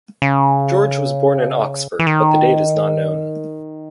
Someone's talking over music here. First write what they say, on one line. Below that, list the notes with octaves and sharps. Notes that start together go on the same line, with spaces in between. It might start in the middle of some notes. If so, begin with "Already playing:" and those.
George was born in Oxford but the date in not known.
C#3
E3
D#3